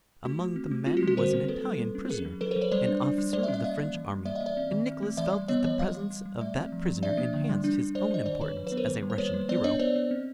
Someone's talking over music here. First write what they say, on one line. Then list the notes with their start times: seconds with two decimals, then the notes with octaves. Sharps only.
Among the men was an Italian prisoner, an officer of the French army; and Nicholas felt that the presence of that prisoner enhanced his own importance as a Russian hero.
0.25 A3 F#4
0.40 A3
0.56 C4
0.71 A3
0.86 C4 F4
0.97 F#4
1.03 G3
1.08 F#4
1.17 D3 A#4 C5
1.33 C4
1.48 A#3 A4 B4
1.64 G3
1.79 G3
1.95 C#4
2.10 C#4 G#4 A#4
2.25 F#3
2.41 F#3 A4 B4
2.51 A#4 C5
2.56 F#3
2.61 B4 C#5
2.72 G3 C5 D5
2.87 D4
3.02 D4
3.18 G3
3.33 G3 C5 D5
3.43 D5 E5
3.48 C#4
3.54 D5 E5
3.64 A#3 D#5 F5
3.79 C#4
3.94 E3
4.10 G3
4.25 A#3 D5 E5
4.35 D#5 F5
4.41 A#3
4.46 D5 E5
4.57 C4
4.72 D#3
4.87 C4
5.03 A3
5.17 E3 D5 E5
5.33 G3
5.48 B3 C#5 D#5
5.64 E3 C#5 D#5
5.79 G3 D#5 F5
5.95 G3
6.10 G3
6.26 G3
6.41 A3 D5 E5
6.56 C4
6.72 F3
6.87 F3
7.03 D4 D5 E5
7.18 A#3
7.34 D3
7.49 G3
7.64 D4
7.80 D4
7.95 G3 C5 D5
8.11 D4 D#5
8.26 D#3 C5 D5
8.41 D#3 B4 C#5
8.57 F#3
8.67 B4 C#5
8.72 B3
8.77 A#4 C5
8.88 D#3
9.03 G3
9.10 C5
9.18 A#3 B4 C#5
9.34 G3
9.49 B3 C5 D5
9.64 D4 C#5 D#5
9.79 B3 C5 D5
9.95 B3
10.11 C4